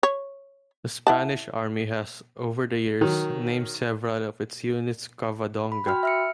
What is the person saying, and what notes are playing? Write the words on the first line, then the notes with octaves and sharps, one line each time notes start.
The Spanish Army has, over the years, named several of its units "Covadonga".
C#5
E4 F#5 A5
D#3 F#3
B5
F#4 G5 B5 F6
E5 F6 C#7